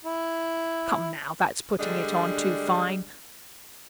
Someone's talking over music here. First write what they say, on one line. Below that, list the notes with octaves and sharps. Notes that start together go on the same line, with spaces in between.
Come, now, that's putting it on too fine.
E4
D3 G3 G#3 D4